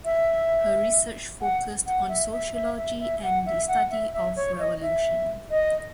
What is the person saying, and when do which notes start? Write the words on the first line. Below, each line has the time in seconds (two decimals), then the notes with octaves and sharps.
Her research focused on sociology and the study of revolution.
0.05 E5
1.41 F#5
1.86 F#5
2.09 E5
2.32 E5
2.54 E5
2.77 E5
3.00 E5
3.23 F#5
3.46 E5
3.68 F#5
3.91 E5
4.13 E5
4.36 C#5
4.59 D#5
4.82 E5
5.50 D#5